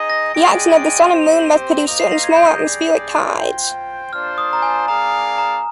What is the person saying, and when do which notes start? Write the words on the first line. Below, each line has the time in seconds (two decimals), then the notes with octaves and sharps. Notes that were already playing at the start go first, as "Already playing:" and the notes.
The action of the sun and moon must produce certain small atmospheric tides.
Already playing: D#4 G#4 D#5
0.10 A#6
0.34 G#3 D#4 G#4 D5 G5 D7
0.60 D#7
0.77 D7
0.85 D#7
1.10 C4 G4 C5
1.86 A#3 F4 C5 D#5 F7
2.00 C7
2.12 A#6
2.24 G#6
2.36 G6
2.61 G3 D4 G#4 D5
3.37 F4 C5 G5
4.13 A#3 D4 F4 C5 F6
4.38 D#6
4.53 A#5
4.62 G#5
4.88 A#3 D4 G#4 D5 F5 A#5
5.38 A#5